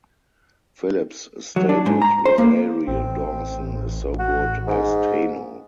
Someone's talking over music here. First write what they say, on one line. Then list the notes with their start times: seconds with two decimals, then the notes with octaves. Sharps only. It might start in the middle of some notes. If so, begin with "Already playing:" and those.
Phillips stated "Rosario Dawson is so good as Tano".
1.56 F#3
1.69 D4
1.86 G#2
2.02 A#5
2.25 C5
2.38 A#3
2.88 A1 C4
4.19 F#4
4.67 G#2